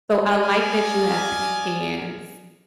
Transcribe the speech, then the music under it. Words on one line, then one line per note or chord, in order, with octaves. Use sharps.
So, I like that you have pecans,
D5 D#5 F5 G#5